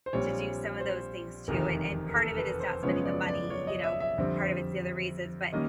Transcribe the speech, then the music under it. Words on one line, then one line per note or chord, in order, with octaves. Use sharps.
to do some of those things too, and and part of it is not spending the money, you know, part of it's the other reasons, but
C5
A#1 A#2 G3 C4 C#5
C5
F1 E2 C3 D#3 A#4
A#4
A4
B4
C5
F#2 C#3 F3 G#3 B3 C#5
D5
D5
C#5
D#5
E5
E5
F2 D3 G3 C4
D#3 G3 A#3 C#4 D#5